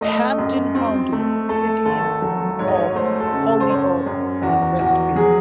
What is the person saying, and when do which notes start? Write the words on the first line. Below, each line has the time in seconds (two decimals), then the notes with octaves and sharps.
Hampden County: Cities of Holyoke and Westfield.
0.01 A3 D#5
0.38 F#2
0.75 C4
1.12 A3
1.49 A3 A4
1.85 G#1 A4
2.22 F#3 A4
2.59 G#2 C#5
2.67 D#5
2.75 C#5
2.95 A3 C5
3.20 A4
3.32 C#3
3.45 A4
3.60 C5
3.69 F#2 C#5
4.06 F#2
4.42 E2 F#4
4.79 E2 F#4
5.16 F#3 G#4